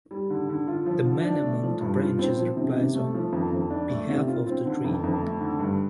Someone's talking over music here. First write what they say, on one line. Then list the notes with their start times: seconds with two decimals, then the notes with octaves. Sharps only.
The man among the branches replies on behalf of the tree.
0.11 G3
0.30 D3
0.49 D3
0.68 F4
0.86 F3
1.05 D3
1.25 D4
1.43 A3
1.63 F3
1.81 G2
2.00 F4
2.19 C4
2.38 F3
2.57 C3
2.76 C3
2.95 A3
3.14 F3
3.32 F2
3.52 F2
3.70 D4
3.90 A3
4.09 C3
4.28 F4
4.47 C4
4.66 D3
4.84 F2
5.04 F2
5.22 A3
5.41 D3
5.59 G2